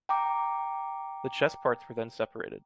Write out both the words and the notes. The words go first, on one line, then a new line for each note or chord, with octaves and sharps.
The chess parts were then separated.
G5 A#5 D6